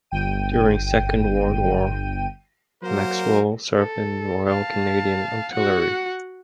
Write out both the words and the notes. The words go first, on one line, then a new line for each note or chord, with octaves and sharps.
During Second World War, Maxwell served in the Royal Canadian Artillery.
G1 G5 D#7
F#3 A#3 F#4 A#4 C5
A4
F5 A5
F#4 F#5